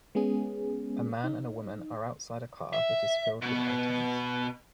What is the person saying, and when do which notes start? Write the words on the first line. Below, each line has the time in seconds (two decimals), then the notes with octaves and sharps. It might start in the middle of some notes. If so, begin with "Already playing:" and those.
A man and a woman are outside a car that is filled with items.
0.15 G#3 B3 C#4 G#4
1.24 D#4
2.73 E5
3.42 B2 B3